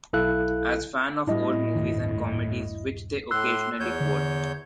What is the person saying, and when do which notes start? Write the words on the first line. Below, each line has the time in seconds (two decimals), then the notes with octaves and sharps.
A fan of old movies and comedies, which they occasionally quote.
0.13 B1 E4 A4 F5 F#6
1.27 A2 G3 D4 E4 D#5
1.76 D#1 G2 D#3
3.31 A2 C6 E6 F#6
3.80 E2 C#5 G6
4.01 D3